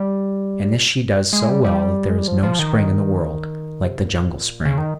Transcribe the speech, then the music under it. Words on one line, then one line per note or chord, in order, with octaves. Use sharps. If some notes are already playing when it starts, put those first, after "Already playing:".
And this she does so well that there is no spring in the world like the Jungle spring.
Already playing: G3
G#3
G3
G3
G#3
G3
F3
F3
D#3
C3
A#2
C#3
D#3